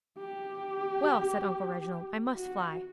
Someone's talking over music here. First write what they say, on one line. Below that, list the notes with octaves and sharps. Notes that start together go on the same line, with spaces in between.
'Well,' said Uncle Reginald, 'I must fly.
G4
F#4